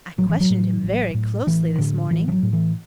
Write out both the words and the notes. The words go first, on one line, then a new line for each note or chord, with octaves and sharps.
I questioned him very closely this morning.
A1 F#3
E3
F#3
A2
A1
A2
A1 E3
A2 D3
A1 E3
E3
F#3
A2
E3